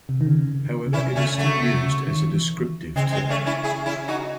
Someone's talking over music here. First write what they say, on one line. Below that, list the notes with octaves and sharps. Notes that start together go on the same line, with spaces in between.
However, it is still used as a descriptive term.
C3
D#3
C#3
C#3
C3 C#4 E4
C#3 A3 C#4
C#3 F#3 A3
C#3
C3
C#3
D#3
E3
C#3 G#3 C4
G#3 C4
A3 C#4
C#4 E4
E4 G#4
C#4 E4
D#4 F#4